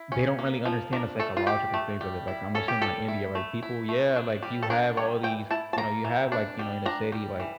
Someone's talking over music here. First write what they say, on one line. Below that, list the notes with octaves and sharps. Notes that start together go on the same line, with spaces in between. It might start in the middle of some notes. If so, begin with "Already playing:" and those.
they don't really understand the psychological things of it. Like, I'm assuming like India, right, people yeah, like, you have all these you know, you have, like, you know, in a city, like,
Already playing: E4
C#4
A#3
F3
D4 A#4
A3 A4
F4
D4 G4
A3
G3
E4
C#4 A4
G4
G3 A4
E4
A3
E4
A3
D4
G3
A4
D4 A#4
G3 C#5
E3 G5
E4 A5
A5
A#3 A#5
E3
D4
G3
D4 A#5
G3
E3